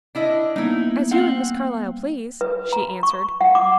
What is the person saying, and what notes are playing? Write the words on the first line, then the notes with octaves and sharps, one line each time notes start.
"As you and Miss Carlyle please," she answered.
D4 E4 D#5
G3 A#3 B3 D#4 E4
C4 F5 F#5
B4
A#5
C#6
F#5
D6